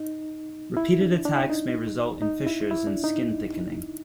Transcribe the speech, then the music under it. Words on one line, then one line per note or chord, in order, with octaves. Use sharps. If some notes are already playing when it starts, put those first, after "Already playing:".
Repeated attacks may result in fissures and skin thickening.
Already playing: D#4
E4
D4
D4
D#4
D#4
E4
E4
D4
D#4